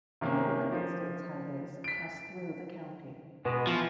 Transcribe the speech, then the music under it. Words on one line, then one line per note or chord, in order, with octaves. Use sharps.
Two United States highways pass through the county.
C3 D#3 A#3 C#4
F3
B6 D7
B2 G#3 B3
E3 F3